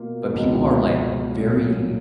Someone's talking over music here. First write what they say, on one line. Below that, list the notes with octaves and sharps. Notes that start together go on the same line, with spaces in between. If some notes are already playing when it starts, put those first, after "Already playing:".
but people are, like, very,
Already playing: B2 A#3 F4
C#2 B2 G#3
A#2 F#3 C#4